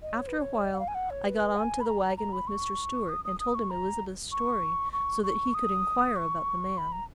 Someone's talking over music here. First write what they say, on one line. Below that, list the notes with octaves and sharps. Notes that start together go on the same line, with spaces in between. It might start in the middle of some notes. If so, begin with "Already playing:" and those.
After a while I got on to the wagon with Mr. Stewart and told him Elizabeth's story so that he could inquire about the man.
D#5
C#5
B4
C#5
D#5
F#5
F5
G#5
F#5
C#5
B4
G#5
B5
A#5
A#5
A#5
B5
C#6
D#6
D#6
D#6
C#6
A#5
C#6
C#6
C#6
D#6
C#6
B5
A#5